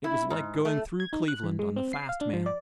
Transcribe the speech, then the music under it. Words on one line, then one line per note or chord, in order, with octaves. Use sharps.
It was like going through Cleveland on the fast mail.
E4
G#2
A3
G#6
D#4
F#6
E3
G#3
C4
C7
F5
D4
F3
D5